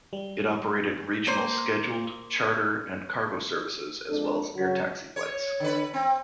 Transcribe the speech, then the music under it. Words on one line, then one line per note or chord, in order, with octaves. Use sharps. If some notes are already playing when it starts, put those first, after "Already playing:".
It operated regional scheduled, charter and cargo services, as well as air taxi flights.
G3
A#3 C5
F2 G#3 D4 A4
C#3 F#3 F#4
C#5
D3 B4
C4